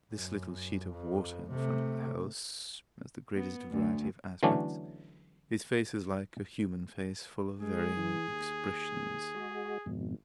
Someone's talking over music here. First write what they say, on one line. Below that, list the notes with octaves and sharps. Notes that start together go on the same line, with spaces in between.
This little sheet of water in front of the house has the greatest variety of aspects; its face is like a human face, full of varying expressions.
F#2
F2
C3 A3
B3
D2
D3 E3 F#3 A3 C#4 D4
G#3 G#4
E3
D#2
G#3 F#4
G#1 F2 G#2 B2